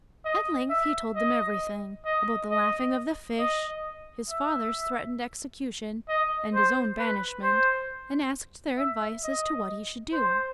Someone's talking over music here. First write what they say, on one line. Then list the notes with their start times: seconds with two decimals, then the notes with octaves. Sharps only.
At length he told them everything--about the laughing of the fish, his father's threatened execution, and his own banishment--and asked their advice as to what he should do.
0.25 D#5
0.70 E5
1.15 D#5
2.05 D#5
2.50 D#5
3.39 D#5
4.30 E5
6.09 D#5
6.54 C5
6.99 B4
7.43 C5
8.78 E5
9.24 D#5
10.13 C5